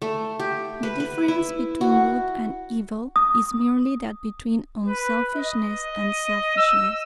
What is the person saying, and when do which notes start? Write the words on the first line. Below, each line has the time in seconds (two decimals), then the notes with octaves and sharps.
The difference between good and evil is merely that between unselfishness and selfishness.
0.02 A3
0.40 G4
0.83 B4
1.00 B4
1.28 E4
1.81 F#4
3.16 D#6
4.88 B4
5.36 D#5
6.57 E6